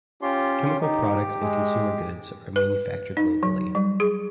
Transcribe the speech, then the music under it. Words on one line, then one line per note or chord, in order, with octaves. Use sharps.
Chemical products and consumer goods are manufactured locally.
C#4 F4 G4 C6
D#4 G4
G#3
B4
D#4
F#3
G3
G#4